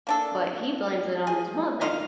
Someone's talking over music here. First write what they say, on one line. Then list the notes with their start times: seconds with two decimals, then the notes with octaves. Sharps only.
but he blames it on his mother.
0.07 A#3 D4 A4
1.27 G#4
1.81 D#4 F4 D#5 F5